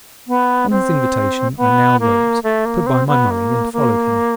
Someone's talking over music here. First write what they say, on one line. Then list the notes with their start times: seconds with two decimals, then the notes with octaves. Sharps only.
On his invitation I now rose, put by my money, and followed him.
0.27 B3
0.70 C4
1.57 B3
2.00 A#3
2.44 A3
2.65 A#3
2.87 C4
3.08 B3
3.31 A#3
3.73 A#3